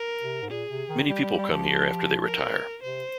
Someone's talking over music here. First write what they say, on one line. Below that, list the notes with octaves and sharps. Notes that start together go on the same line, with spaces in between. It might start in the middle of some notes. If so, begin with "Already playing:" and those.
Many people come here after they retire.
Already playing: A#4
C3
G#2
A#2 G#4
C3
D#3
G3 G4
G3
G3
F3
A#4
C3 C5